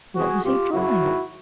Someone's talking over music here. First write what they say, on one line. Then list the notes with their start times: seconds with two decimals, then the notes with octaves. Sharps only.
What was he drawing?
0.15 E2 C3 E3 G3 F#4 G#4
0.43 B2 G3 F4 G4
0.72 F#2 C#3 F#3 E4 F#4
1.00 G#2 D#3 F#3